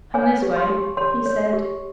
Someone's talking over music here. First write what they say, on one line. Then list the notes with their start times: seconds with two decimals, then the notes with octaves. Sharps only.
"Come this way," he said.
0.14 C#5 G#5
0.42 G4
0.56 C6
0.70 G4
0.97 C#5 C6
1.26 C#5
1.53 G4